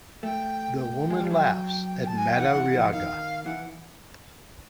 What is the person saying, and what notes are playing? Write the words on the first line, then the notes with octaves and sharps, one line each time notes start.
The woman laughs at Madariaga.
A3 G5
G5
G#3
G3
F#3 G5
A5
G#5
G5
E3 F#5
E3
F3
D#3 F5
E3 F#5